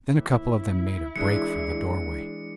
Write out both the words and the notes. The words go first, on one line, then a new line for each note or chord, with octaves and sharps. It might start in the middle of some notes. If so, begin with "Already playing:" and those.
Then a couple of them made a break for the doorway.
D#2 E4
E3 G#3 D4 C#7